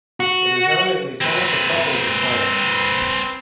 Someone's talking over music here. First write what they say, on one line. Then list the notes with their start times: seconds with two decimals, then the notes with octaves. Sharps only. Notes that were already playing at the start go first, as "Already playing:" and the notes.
It is known as a centre for truffles in France.
0.20 F#4
1.21 C4 B4